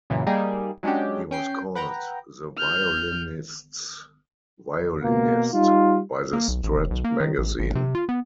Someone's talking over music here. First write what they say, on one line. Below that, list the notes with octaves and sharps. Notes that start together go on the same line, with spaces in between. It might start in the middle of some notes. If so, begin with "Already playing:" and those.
He was called "The Violinists' Violinist" by the Strad Magazine.
F#2 A#2 C#3 E3
G3 A#3 D#4 G4 G#4
F#3 G#3 C#4 D4 F#4 G4
C#4 G5 C7
B4 F#5 G5 A#5
F6 G6
B2 A#3
G3 D#4 F4
A#3
B1
A1
F1
B1
A#3
D#3
A1
G#1
C3
F4
B3